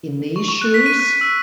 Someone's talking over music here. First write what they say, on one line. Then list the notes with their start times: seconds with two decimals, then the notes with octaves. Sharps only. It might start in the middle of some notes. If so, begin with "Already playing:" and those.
In These Shoes?
0.36 C#6
0.48 C#6
0.62 F#6
0.74 B6
0.86 D#7
1.00 F#6
1.21 E6